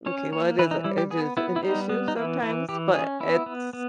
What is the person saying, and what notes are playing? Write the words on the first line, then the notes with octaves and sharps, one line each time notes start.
Okay, well, it is a it is an issue sometimes, but it's
C#4 C#5
A#3 C#5
E3 B4
D#4
G3 E4
G4
B3 G#4
B3 E4
E4
G3 D#4
B3
D#4
E3 E4
E3 E4
E3 G4
C#4 G#4
B3 E4
B3
B3